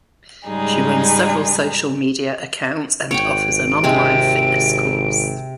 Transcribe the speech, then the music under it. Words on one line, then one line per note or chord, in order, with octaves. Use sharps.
She runs several social media accounts and offers an online fitness course.
G#2 C#3 G3 G#3 D#4 G#4
G#1 C#5 F#5 G5 D7
C3 G#3 C4